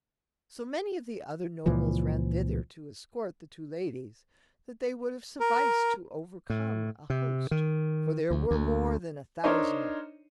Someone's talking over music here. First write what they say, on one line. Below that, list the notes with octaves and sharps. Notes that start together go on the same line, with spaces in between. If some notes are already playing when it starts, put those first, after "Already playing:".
So many of the other nobles ran thither to escort the two ladies that they would have sufficed to overcome a host; for there were more than a thousand of them.
C#2 A#2 E3 F3
A#4
A2
C3
D#3
D2
D2
D4 D#4 A#4 C5 C#5 D#5